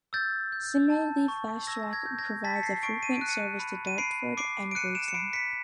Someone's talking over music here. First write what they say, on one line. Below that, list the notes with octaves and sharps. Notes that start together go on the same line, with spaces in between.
Similarly Fastrack provides a frequent service to Dartford, and Gravesend.
E6 G6 A6
G6
A5
C#6
E6 G#6 A#6
G#6 A#6
G6
G#6 A#6
A5 A6 B6
C#7
A#6 C7
C#6 C7 D7
D#7
D7
F#6
C#7 D#7
B5
D#7
B5 C7 D7
D6 C7 D7
D7
F#6 C#7 D#7
D7 E7
C#7
B5 C7 D7
B6 C#7